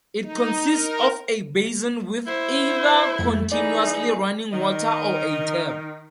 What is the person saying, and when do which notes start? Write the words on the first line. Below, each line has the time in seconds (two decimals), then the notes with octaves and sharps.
It consists of a basin with either continuously running water or a tap.
0.22 D#4
0.67 A#4
2.27 E4 C5
3.19 F2 A3
3.52 E3 D#4 G#4 D5
4.53 D#3 D#4 A#4 D#5